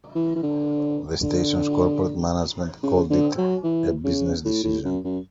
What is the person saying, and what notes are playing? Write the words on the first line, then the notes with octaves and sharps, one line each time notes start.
The station's corporate management called it a business decision.
E3
E3
D3
D3
C#3
D3
F#3
E3
C#3
A2
A2
F#2
F#2